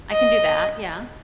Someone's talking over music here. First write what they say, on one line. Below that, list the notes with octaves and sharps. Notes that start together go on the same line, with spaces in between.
I can do that, yeah.
D#5